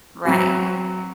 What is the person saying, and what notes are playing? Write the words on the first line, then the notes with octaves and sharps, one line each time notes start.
Right, i
F#3 C4 F#4